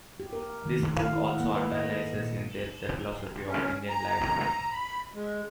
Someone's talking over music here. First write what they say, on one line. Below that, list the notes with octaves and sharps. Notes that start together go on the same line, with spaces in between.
This book also analyses in depth the philosophy of Indian life.
G4
A#4
D#3
A3
F5
E4
F#5
A#3
B4
D#5
A4
A#2
C#4
A#5
B5
G#3